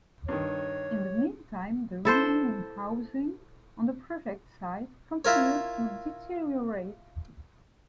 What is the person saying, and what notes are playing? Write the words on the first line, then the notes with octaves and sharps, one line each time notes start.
In the meantime, the remaining housing on the project site continued to deteriorate.
G2 D#3 C#5
E4 A4 C5
E4 F4 A#4 C#5